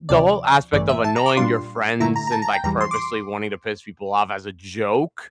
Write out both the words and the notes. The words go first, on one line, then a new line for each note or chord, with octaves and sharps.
the whole aspect of annoying your friends and, like, purposely wanting to piss people off as a joke
D2 C3 F3 D5
A1 G2 E3 A3 D5
E5
A5
A#5
D6
A#2 G3 D4 F4 C6
G2 D3 A3 E4 A#5
A#5
A#5
A5
A#5
G5
E2 E3 G3 A#5
C6
D6
C6